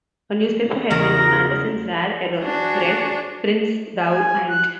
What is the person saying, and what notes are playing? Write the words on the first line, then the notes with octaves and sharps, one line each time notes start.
A newspaper headline on Anderson's rare error read "Prince Thou Ain't".
E2 C#3 A#4 D#5
D4 F#4 G#4 D5
G#5
F#6